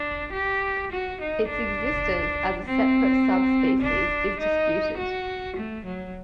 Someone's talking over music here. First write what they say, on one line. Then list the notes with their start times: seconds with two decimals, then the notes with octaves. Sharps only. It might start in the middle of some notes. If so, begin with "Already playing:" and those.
Its existence as a separate subspecies is disputed.
Already playing: D4
0.33 G4
0.92 F#4
1.21 D#4
1.49 D4
2.66 C4
3.82 D4
4.40 D#4
4.97 F#4
5.56 A3
5.85 F#3